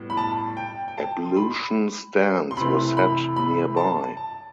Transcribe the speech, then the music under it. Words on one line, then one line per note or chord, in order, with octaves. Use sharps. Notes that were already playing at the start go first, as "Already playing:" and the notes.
Ablution stands were set nearby.
Already playing: A2 G3 B3
B5
A5
G5
G5
A5
C6
B5
C6
C3 E3 A3 B5
B5
B5
A5
A5